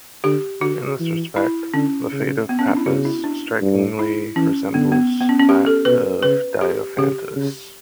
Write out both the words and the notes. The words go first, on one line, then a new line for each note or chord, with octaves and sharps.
In this respect the fate of Pappus strikingly resembles that of Diophantus.
D3 G4
D3 F#4
E3
E4
D3 C#4
C#3
B3
C#4
D4
E4
C#3 F#4
E4
D4
G2
E4
E3 C#4
D3 B3
B3
B3
C#4
C#4
G4
A4
B2 B4
C#3 B4
G4
C#3 G4
C#3